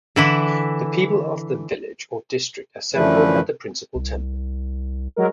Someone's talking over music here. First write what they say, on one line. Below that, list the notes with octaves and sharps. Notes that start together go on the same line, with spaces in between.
The people of the village or district assemble at the principal temple.
D3 E3 E4
F#2 D3 E3 F3 A3 B4
C2
F#3 G#3 A#4